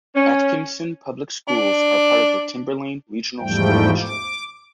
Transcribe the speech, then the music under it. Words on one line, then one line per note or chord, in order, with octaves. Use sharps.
Atkinson Public Schools are part of the Timberlane Regional School District.
C#4
D4
E2 G#2 F3 G3 A3 G5
D6